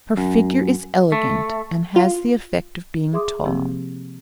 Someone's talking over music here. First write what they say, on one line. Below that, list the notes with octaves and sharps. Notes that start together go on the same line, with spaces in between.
Her figure is elegant and has the effect of being tall.
F#2
A3
F4
G#4 E5 C6 D6 D#6
C3 F3 A#3 C4 G4